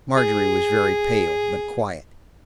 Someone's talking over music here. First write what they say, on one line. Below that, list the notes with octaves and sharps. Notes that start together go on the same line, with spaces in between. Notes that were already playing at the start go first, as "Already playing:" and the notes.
Margery was very pale, but quiet.
G#4